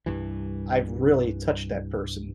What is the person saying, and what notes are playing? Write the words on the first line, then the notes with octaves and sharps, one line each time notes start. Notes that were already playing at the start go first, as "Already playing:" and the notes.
I've really touched that person.
C2 G2 E3